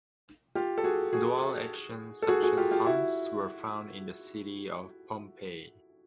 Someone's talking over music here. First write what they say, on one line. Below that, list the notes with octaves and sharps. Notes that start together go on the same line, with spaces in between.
Dual-action suction pumps were found in the city of Pompeii.
F4 G4
A4
F#4 G#4
F#4 G#4
A4
F#4 G#4
F#4 G#4
F4 G4
F4 G4
E4 F#4